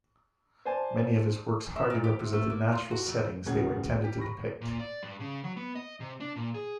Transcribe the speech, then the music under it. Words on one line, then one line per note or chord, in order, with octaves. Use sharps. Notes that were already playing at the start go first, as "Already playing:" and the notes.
Many of his works hardly represent the natural settings they were intended to depict.
C5 D5 G#5 A5
E5
A#2
G4
C3
A3
A#3
F4
F#4
F2
D1 C#2 B2 C#4 F#5 G#6
G3 G4
B5 C#6 A#6
A#2
D5
G2
C#3
F#3
B3
D#5
C3
D4
A#2
G#4